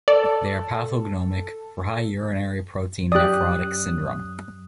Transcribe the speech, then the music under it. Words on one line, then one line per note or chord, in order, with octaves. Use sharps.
They are pathognomonic for high urinary protein nephrotic syndrome.
A4 D5
F#2 G4 D5 D#6 F#6